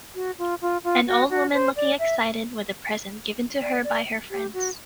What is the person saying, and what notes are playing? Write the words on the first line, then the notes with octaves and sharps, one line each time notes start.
An old woman looking excited with a present given to her by her friends.
F#4
F4
F4
F4
F#4
F#4
C5
D5
E5
D5
D5
G4
F#4